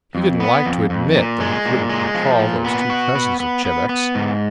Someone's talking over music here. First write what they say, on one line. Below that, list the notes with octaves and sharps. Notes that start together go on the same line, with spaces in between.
He didn't like to admit that he couldn't recall those two cousins of Chebec's.
F2
B3
F2
F2
A#2
G#3
A#2
G#3
F3
A#2
B3
F#4
B3
B3
B3
B3
G#2